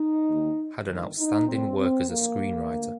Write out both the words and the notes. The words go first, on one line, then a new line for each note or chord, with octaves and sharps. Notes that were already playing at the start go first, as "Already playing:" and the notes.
Had an outstanding work as a screenwriter.
Already playing: D#4
D#2 D#3
G1 G2 D#3
D#4
C2 A#2 C4
C4
A#1 A2 A#3
D2